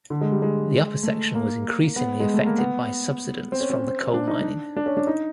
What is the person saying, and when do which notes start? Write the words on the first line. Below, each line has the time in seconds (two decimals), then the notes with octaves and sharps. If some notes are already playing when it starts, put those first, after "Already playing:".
The upper section was increasingly affected by subsidence from the coal mining.
0.10 D3
0.21 G#3
0.32 G3
0.42 G#3
1.03 A3
1.35 A#3
1.96 B3
2.20 G#3
2.34 A3
2.46 A#3
2.58 B3
3.52 C4
3.60 C#4
3.70 C4
3.78 C#4
3.87 C4
4.14 D4
4.28 D#4
4.42 D4
4.77 D4
4.86 C#4
4.97 D4
5.07 D#4